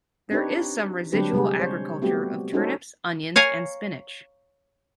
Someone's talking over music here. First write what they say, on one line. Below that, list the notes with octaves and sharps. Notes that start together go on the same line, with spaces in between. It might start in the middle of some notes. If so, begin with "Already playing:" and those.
There is some residual agriculture of turnips, onions and spinach.
C4 D4 D#4 G4 B4 C#5
D3 F#3 C4 D4 G4 B4
C3 G3 G#3 G4 G#4
C5 C#5
G3 A3 B3 C4 F#4 G4
C#4 D#4 F#4 A4 C5 C#5
C#5 F5 G#5 A#5